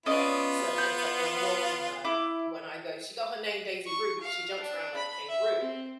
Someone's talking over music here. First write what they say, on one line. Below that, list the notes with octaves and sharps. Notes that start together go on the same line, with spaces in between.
certain things like when I'm walking her, when I go she got her name Daisy Rue because she jumps around like a kangaroo.
B3 C#4 F4 D5 D#5
G6
E4 D6
C#6
F5
D4
B5
E5
C4